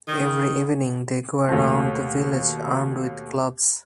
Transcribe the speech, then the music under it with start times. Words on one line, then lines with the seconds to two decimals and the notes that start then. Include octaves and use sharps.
Every evening they go around the village armed with clubs.
0.08 D#3
1.48 D#2 B2 A3